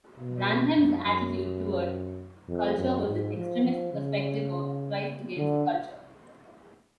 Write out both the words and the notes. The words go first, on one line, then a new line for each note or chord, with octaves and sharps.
Branham's attitude toward culture was an extremist perspective of "Christ against Culture".
B2
F#2
F#2
F2
F#2
G#2
F3
F3
C#3
D3